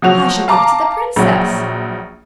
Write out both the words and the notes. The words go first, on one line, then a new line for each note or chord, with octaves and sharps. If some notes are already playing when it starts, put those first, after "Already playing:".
I shall give it to the Princess!'
F3 F#3 F#4 F7
F5 A5 A#5 D6
A#1 F#3